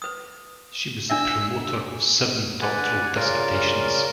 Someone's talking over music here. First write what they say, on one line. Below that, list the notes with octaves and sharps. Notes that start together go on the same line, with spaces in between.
She was the promoter of seven doctoral dissertations.
B4 D#6
D4 D5 E5 E6
D3 B4 D5 F#5 G#5
C#3 F4 A#4 D5